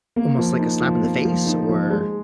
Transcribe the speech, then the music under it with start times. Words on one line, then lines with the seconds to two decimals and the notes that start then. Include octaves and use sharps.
almost like a slap in the face or,
0.16 A#3
0.37 F3
0.59 D#4
0.81 F3
1.03 A#3
1.25 F3
1.46 D#4
1.68 F3
1.90 G#3